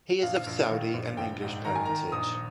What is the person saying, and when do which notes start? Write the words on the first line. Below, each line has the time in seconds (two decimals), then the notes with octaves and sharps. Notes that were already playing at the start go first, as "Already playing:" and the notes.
He is of Saudi and English parentage.
0.23 A#1 F5
0.46 A#1
0.70 D#3
0.94 A#1
1.17 A#1 G5
1.42 G#2
1.65 D#3 A#5
1.75 G#5
1.85 D#3 A#5
2.12 A#1 D#6